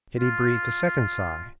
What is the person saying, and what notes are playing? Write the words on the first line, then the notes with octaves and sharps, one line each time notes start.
Kitty breathed a second sigh.
F4